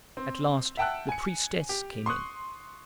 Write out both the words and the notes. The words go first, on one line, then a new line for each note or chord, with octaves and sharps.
At last the priestess came in.
C4
E5 F#5 G5 A5 E6 F#6
G#5 C#7
G4
C6 C#6 D#6 F#6